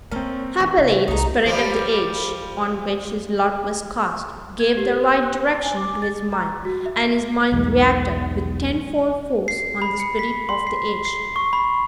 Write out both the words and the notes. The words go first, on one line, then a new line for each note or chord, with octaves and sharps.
Happily the spirit of the age on which his lot was cast, gave the right direction to his mind; and his mind reacted with tenfold force on the spirit of the age.
A3 A#3 C4 C#4 A#4
E3 E4
C3 E4
C2 D#4 A#5
F3 G3
G#6
G4
C5
F#6
G#5
D6
A6
A#5
F#4
E5
B1 E2 G#2
C7
B5
C#7
B6
C6
C7
C7
C#6
B5